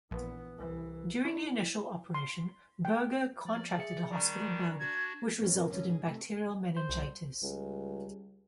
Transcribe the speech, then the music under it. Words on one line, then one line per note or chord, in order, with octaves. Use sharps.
During the initial operation, Burger contracted a hospital bug, which resulted in bacterial meningitis.
A#1 E3 B3
C2 E3
E4
C6
G5
F3 D5
G#4 E5 C#7
D#3 G3 D4 D5 A#5 C#6
D4 F#4 G#6
F#3 B3 C#4
F2 C4 F#4 A#4
F#2 D3 E3 G#3 C#4
D#4 G#4
C3 A3
C5
C2
C#2 G3